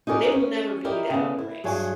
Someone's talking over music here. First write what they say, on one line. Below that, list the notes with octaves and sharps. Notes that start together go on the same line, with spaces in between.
they will never be that other race.
D#4 F#4 G#4 A#4 D5
C#4
E4 G4 A#4 D5 D#5
C#3 B3
E4
G2 F#3 G#4 C#5 G#5 A5